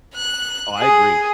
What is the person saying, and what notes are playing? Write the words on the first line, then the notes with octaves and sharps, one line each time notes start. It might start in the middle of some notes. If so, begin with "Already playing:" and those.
Oh, I agree.
F#6
G#4